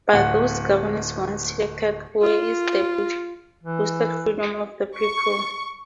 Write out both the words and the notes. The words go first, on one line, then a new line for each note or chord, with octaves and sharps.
But those governors once selected, where is the boasted freedom of the people?
D1 F#5
F4
E3
C#6